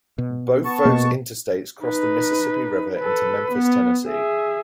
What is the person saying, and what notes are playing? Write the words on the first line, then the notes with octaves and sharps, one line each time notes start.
Both those interstates cross the Mississippi River into Memphis, Tennessee.
B2
B3 A5 C#6
B2 A#3
D#4 B4
A4 B4
B3
G#4 E5